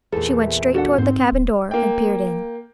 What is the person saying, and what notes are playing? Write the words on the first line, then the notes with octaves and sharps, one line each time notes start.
She went straight toward the cabin door and peered in.
E2 A#2 A4
E5
D4 F#4 A4 F#5
G#2 C4 C5
D1
A#3 G5